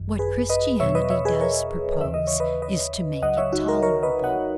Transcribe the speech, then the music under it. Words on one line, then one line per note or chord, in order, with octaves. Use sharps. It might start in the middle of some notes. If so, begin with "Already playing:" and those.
What Christianity does propose is to make it tolerable.
Already playing: G#1 F#2 D#3
G#4 B4
B4 D#5
E2 B2 F#3 C#5 E5
B4 D#5
C#5 E5
G#4 B4
A#4 C#5
D#2 C#3 E3 E5
D#5
C#5
B4 D#5
B4 D#5
C#2 C#3 F#3 D#5 F#5
C#5 E5
D#4 F#4
F#4 A#4
A#4 C#5
B4 D#5
D#5 F#5